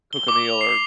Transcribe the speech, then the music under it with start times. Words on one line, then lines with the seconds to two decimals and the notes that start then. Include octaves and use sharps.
cook a meal or
0.13 G7
0.28 D6
0.45 F7
0.61 C7